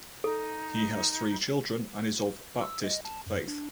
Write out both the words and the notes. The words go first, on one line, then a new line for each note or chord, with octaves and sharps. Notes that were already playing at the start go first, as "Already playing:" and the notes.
He has three children and is of Baptist faith.
D#4 A4
E6
D#5
A5
F#2
D4